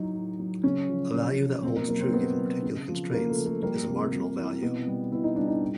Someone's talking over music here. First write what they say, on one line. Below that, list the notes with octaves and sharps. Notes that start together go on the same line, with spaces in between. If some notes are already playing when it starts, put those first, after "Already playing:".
A value that holds true given particular constraints is a "marginal" value.
Already playing: A2 F#3 D#4
A2
F#3
C#3 C#4
F3
C#3
F3
B2 C4
A#3
F#3 A#3
C4
B2 B3
F#3
C#3
F3
C#3 A#3
A3
F3
A3
G3 A#3
C3
C3
E3
B2 B3
G3
B2 E4
D#4
G3 D4
D#4
A2